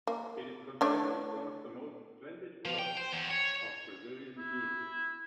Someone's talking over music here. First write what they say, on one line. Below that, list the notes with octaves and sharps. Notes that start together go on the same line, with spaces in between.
It is considered one of the most splendid works of Brazilian jewelry.
A#3
A3 D4 C#5
F3
G5
C5
E2
C#5
E4